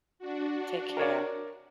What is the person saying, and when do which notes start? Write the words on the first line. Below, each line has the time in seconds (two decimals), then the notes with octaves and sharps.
Take care.
0.19 D4 F#4
0.97 A#4 C#5 D5